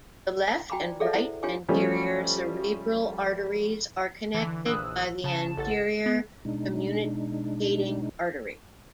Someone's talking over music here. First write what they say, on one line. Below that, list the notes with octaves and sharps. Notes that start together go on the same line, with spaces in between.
The left and right anterior cerebral arteries are connected by the anterior communicating artery.
F#4 G5 G#5 A#5 B5 D6
D5
G#4 A4 D5 E5 F#5
E4 C5
D4 F4 G4 C#5 G#5 D6
F3 G3 A3 C#4
D3 E3
A#1 E3 D#6 E6 F#6
C#3 A5 E7
A1 A4 F#5 A6
E7
B3
B2 G#3 D4 D#4